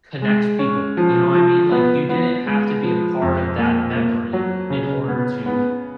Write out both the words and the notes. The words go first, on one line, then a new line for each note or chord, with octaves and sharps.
connects people, you know what I mean? Like, you didn't have to be a part of that memory in order to,
G#3
C#4
F3
F3
B3
B3
G#3
F3
F2
A#3
A#3
F#3
C#3
B3
B3